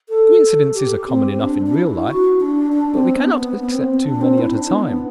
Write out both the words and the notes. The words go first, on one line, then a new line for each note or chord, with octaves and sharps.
Coincidences are common enough in real life; but we cannot accept too many at a time.
A4
G4
C4
D4
D4
E4
F#4
D4
D4
C4
B3
B3
B3
C4
D4
C4
E4
D4
B3